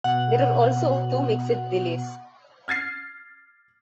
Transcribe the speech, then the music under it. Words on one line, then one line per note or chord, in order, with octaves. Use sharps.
There are also two mixed relays.
B2 F#5
F6 G#6 A6 C7